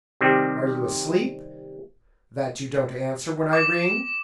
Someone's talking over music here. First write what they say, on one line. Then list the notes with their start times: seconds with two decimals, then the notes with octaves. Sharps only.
"Are you asleep, that you don't answer when I ring?"
0.21 C3 D#3 G3 C4
3.53 D6